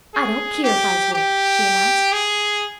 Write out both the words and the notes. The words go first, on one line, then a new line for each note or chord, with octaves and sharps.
"I don't keer if I is whipped," she announced.
G#4
G4
G4
G#4